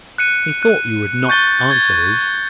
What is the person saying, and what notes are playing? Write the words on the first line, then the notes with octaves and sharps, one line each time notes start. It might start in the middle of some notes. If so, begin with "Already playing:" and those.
He thought you would not answer his.
F#6 C#7 D#7
F#6
C#6 G6 A6 G7
G#6 A6